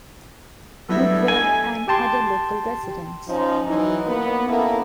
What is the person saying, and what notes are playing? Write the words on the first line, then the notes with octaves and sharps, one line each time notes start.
Woodward, and other local residents.
G2 F#3 B3 E4 A4 E5
A3 D#5 G#5
G4 G5 A5 C6
F3 C#4 D#4
E3 F#3 D#4
A#3 B3
A#3 B3 C#4 E4 A4 A#4